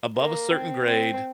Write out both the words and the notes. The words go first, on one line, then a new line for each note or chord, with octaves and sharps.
above a certain grade
A#3
C4
C4